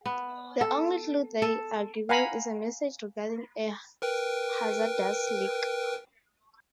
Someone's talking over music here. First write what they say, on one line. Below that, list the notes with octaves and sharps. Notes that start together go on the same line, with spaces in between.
The only clue they are given is a message regarding a hazardous leak.
B3
A4
A4
F5 F#5 G#5 A#5 B5
A#4 B4 G5